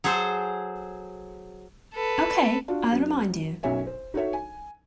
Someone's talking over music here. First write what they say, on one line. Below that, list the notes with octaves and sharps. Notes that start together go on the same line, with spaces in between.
Okay, I'll remind you.
F#3 G#4 A4 C5
A4 B4
D4 F4 F#4
F#2 F#3
B1 F#2 F#3 C#5 E5 G#5
C5
D#4 F#4 A4 C#5 E5
G#5